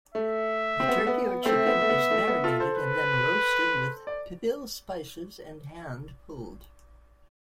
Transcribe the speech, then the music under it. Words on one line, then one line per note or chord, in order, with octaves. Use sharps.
The turkey or chicken is marinated and then roasted with Pipil spices and hand-pulled.
A3 E5
C4
B3
A3
B3
A3 C4 E5
B3
A3
B3
A3
B3
F4 A4
A4 C5
B4
D5